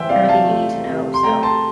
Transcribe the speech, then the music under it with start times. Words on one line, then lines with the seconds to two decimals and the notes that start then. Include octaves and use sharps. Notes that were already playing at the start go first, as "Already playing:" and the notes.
everything you need to know. So
Already playing: E3 C5 E5 G5
0.09 C3 D5 F5
0.29 F5 A5
0.48 A3
0.86 C3
1.14 C6
1.23 A3 G5 A#5
1.43 A5 C6